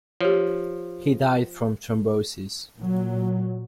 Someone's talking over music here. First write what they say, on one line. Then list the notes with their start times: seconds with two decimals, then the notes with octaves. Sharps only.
He died from thrombosis.
0.21 F3 G4 C#5
2.79 A#2 F#3